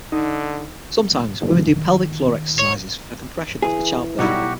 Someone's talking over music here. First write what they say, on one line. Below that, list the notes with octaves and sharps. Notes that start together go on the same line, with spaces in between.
Sometimes women do pelvic floor exercises for compression after childbirth.
D3 D#4
D#3
C#5
E3 G#4
B1 A2 G3 D#4 E4 F#4 G4 F#5